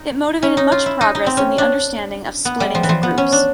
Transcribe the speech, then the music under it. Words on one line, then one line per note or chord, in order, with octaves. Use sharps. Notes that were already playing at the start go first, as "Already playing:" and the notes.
It motivated much progress in the understanding of splittings of groups.
Already playing: D#4
C#4
D#4
F4
E4
D#4
D#4
C4
C#4
D4
B3
G3
F3
E3
F3
B3
C#4
D4